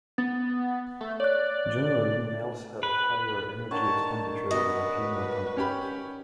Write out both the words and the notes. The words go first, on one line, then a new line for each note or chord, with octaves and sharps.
Generally males had a higher energy expenditure than their female counterparts.
B3 A6
A3
C#5 D5 F#6
B4
D3 D#3 C#5 A5
B2 F#4 B4 D#5
C#4 G4 B5